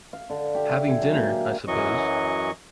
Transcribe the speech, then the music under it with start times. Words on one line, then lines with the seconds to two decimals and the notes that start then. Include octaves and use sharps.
Having dinner, I suppose.
0.13 F5
0.30 D3
0.55 G4
0.69 E5
0.90 G#4
1.02 F#3
1.14 A#3
1.28 G4
1.68 F#2 E3 F#3 D#5 C#6